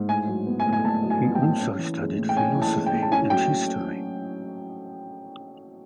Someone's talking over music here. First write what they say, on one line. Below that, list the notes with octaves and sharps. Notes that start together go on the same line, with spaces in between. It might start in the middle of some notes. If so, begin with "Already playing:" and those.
He also studied philosophy and history.
Already playing: G#2
A2 G#5
F#3
B3
G#5
A2
G#5
A2 A5
F#3
G#5
B3
G5
A2
C#4
E3
G#3
A2
G5
C#4 G#5
E3
A5
G#3
G5
A2
A5
C#4 G#5
F#3 G5